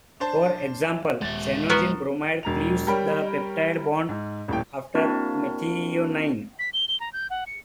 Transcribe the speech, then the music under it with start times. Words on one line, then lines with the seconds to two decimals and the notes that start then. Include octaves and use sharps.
For example, cyanogen bromide cleaves the peptide bond after a methionine.
0.20 D4 C5 A5
1.21 D#1 G#3 E5 A6
1.70 B3 F#4 A#4
2.43 E1 A#5 F7
2.87 G3 A#4 C#5 G5 B5
4.09 G#2
4.48 D#1 A2 G5
4.95 A#3 C4 D4 E4 F#4 A#4
6.59 B6
6.73 G7
6.88 G7
7.00 A#5
7.13 G6
7.30 F#5
7.47 C#7